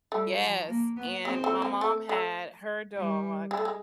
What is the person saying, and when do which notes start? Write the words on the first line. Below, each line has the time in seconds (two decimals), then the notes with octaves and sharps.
yes, and my mom had her dog,
0.12 G3 A3
0.40 F3
0.68 A#3
0.97 B3
1.25 G#3 C4
1.44 A3
1.62 A#3
1.81 A3
2.09 A3
2.94 G3
3.51 G#3
3.57 A3
3.65 G#3